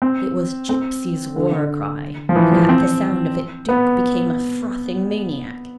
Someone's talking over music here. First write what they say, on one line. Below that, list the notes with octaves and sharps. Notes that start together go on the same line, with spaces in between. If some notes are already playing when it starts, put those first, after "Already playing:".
It was Gipsy's war-cry, and, at the sound of it, Duke became a frothing maniac.
C4
C4
D3
D3
F3
E3
F3
C4
B3